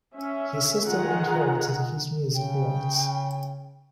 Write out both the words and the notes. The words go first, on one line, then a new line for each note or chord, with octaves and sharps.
His sister inherited his music rights.
C#4 E5
D#3 F4 G#4 F#5 G#5 A#5
C#3 G5